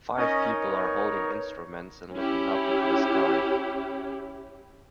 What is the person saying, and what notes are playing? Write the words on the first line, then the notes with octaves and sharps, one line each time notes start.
Five people are holding instruments and looking up into the sky.
C#4 D#4 A#4 C#5 D#5
B3
C#4 E4 G4